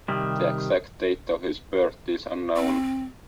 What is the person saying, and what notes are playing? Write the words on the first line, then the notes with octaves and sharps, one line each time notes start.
The exact date of his birth is unknown.
C3 D#3 G3
C4